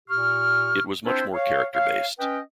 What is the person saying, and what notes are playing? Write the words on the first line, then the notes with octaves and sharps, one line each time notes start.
It was much more character-based.
A#2 G4 C#6 F6
C4 D4 E4 F4 C5
C#5 F5
C#5 F5
C#4 B4 D#5 G5